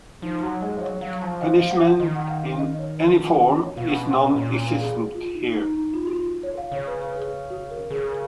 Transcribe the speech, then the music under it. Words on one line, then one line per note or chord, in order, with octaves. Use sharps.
Punishment in any form is non-existent here.
F3 D#4
F#3 F#4
G#3 G#4
F3
F#3 C#5
F#3 F5
F3 F5
D#5
F5
F#5
F5
D#3 D#5
F#5
F5
F5
D#5
C#5
B4
F4
F#4
F#4
C#5
B2 F5
F#5
F5
C#5
D#5
A#2 C#5
C#5
B4
G#4
F#4
F4
D#4
D#4
D#4
F4
F#4
F4
C#5
F5
C#3 C#5
B4
B4
G#4
F#4
A#4
C#3 G#4
A#4